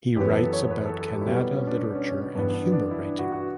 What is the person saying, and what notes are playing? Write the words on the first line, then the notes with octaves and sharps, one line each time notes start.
He writes about Kannada literature and humor writing.
F#2 E3 B3 G4
A4
C#5
C#5
B4
A4
A4
G4
E4
B2 G3 B3 F#4
C#4
D4
D4
C#4
C#4
C#4
G2 E3 B3 D4
D4
D4
E4
D4
F#4
F#4